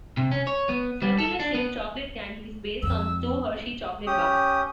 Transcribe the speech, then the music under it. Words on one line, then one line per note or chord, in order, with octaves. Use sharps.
Circular-shaped chocolate candies based on two Hershey chocolate bars.
C3
C#4
C#5
B3
G3
A4
D4
B3
F2 E6
C#4 G4 D#6